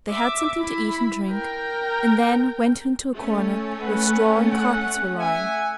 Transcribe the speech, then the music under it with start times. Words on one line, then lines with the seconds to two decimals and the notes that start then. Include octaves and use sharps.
They had something to eat and drink; and then went into a corner, where straw and carpets were lying.
0.10 E5 D6
0.61 E4 B5
1.31 A#4 G5
3.13 A3 C#4
3.81 B4 F#5
4.51 F#5
5.18 E5 F#5 G#5